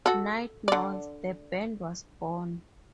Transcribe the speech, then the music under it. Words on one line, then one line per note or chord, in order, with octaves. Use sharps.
Nightnoise, the band, was born.
F#4 A4
D3 D5